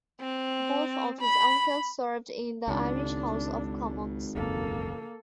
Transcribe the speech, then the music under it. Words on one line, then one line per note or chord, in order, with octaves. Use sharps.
Both of his uncles served in the Irish House of Commons.
C4
B5
G#1 C#2 D4
E1 C#2 F#2 A#3 A4